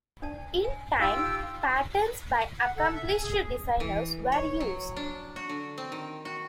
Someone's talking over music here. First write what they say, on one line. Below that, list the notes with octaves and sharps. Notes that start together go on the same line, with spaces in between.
In time, patterns by accomplished designers were used.
D4 D5 A5
G#5
D#4 F4 G4 F5 G5 A5 E6
F#5
A4
E5
G#5
G#4
E3
C#5
F#3
D4
F#4
D3
C4
D#3
F#4